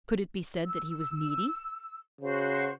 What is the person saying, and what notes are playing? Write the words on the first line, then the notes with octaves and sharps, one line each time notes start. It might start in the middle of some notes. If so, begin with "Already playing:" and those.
Could it be said that he was needy?
E6
C#3 F#4 C5